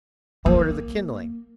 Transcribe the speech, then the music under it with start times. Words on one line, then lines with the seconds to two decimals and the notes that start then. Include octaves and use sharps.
I'll order the kindling!
0.46 A#3